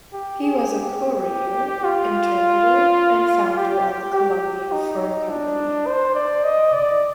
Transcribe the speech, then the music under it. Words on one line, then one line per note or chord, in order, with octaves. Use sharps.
He was a courier, interpreter, and founder of the Columbia Fur Company.
G4
G#4
G4
F4
G4
G4
D#4
D4
C5
D5
D#5
D5